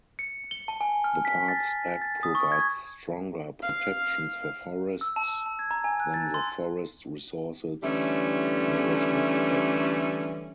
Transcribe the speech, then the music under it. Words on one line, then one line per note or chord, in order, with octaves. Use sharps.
The Parks Act provides stronger protections for forests than the Forest Resources Management Act.
C#7
G7
A5
G#5
F6
B6
A6
A6
D#6
C#6
G#6
F5
E6
A5
E6
A5
G#6
A#5
G#5
F#6
A6
C6
D3 E3 G3 A3 C#4